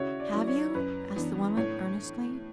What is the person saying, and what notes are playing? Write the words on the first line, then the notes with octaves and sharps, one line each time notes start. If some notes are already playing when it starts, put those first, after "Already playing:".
"Have you?" asked the woman, earnestly.
Already playing: C#3 E4 F#4 C#5
D5
F#3 C#4 E4
C#5
F#2 B4
E3 B3 D4
A2 C#5